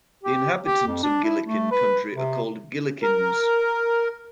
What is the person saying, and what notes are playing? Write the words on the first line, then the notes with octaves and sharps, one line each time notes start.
The inhabitants of Gillikin Country are called Gillikins.
G4
G4
F2
D4
E4
A3
B4
C3
A#4